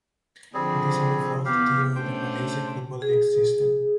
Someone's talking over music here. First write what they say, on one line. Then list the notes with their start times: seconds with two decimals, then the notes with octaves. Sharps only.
It is in the fourth tier of the Malaysia football league system.
0.54 D3 F3 G3 C4 G#4
1.45 E2 B3 G4 F5
1.96 A3 C#4 D4 C5 G5
3.02 G#4